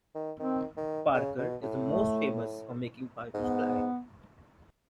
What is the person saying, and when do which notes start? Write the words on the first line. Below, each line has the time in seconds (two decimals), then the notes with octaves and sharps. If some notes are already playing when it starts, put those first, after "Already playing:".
Parker is most famous for making the Parker Fly.
0.15 D#3
0.40 D#3 C4
0.77 D#3
1.14 C#3
1.39 B2
1.62 A2
1.87 A3
3.34 G#2 B3